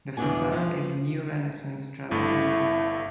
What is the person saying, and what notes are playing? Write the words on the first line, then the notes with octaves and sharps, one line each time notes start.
The facade is neo-Renaissance travertine.
E2 B2 B3 D4 F#4 G#5
F3
G1 G2 A3 E4